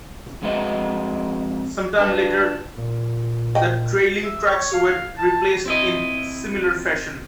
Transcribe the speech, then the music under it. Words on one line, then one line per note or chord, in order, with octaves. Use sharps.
Some time later, the trailing trucks were replaced in similar fashion.
F2 G#3 F#4 B4 D#5 E5
D4 B4
A#2
D#5 G5
E5
C#5
F5
A5
C4 E4 D#5